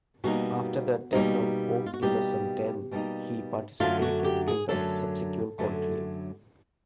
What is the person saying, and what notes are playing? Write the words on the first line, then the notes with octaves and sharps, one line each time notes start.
After the death of Pope Innocent X, he participated in the subsequent conclave.
B2 G3 A#3 D#4 F#4
B2 G3 A#3 D#4
F4
F#4
B2 G3 A#3 D#4 G4
B2 G3 A#3 D#4
F#2 D3 F#3 A3 F4
F#4
G4
G#4
F#2 D3 F#3 A3 A4
F#2 D3 F#3 A3